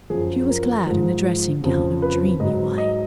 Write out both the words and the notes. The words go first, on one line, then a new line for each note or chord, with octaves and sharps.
She was clad in a dressing-gown of dreamy white.
F#2 F3 G#4
A#4
G#2 F3
F2 C#3 F3
B4
G#2 F#3 D#5
D#5